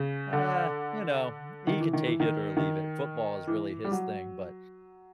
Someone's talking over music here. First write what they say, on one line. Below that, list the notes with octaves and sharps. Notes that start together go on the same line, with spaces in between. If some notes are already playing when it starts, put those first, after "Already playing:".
uh, you know, he can take it or leave it. Football is really his thing, but,
Already playing: C#3
D3
D#3
E3
D#3
E3
D#3
D#3
E3
G3
F#3